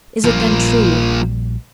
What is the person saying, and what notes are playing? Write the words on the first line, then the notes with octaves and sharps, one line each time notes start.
Is it then true?
A#1 A#2 F3 G3 A#3